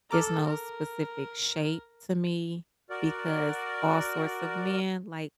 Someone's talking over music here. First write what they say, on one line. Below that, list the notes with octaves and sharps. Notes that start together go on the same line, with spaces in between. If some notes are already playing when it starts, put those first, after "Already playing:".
it's no specific shape to me because all sorts of men like
A4 A#5 D6 F6
A#4
F#4 A#4 D5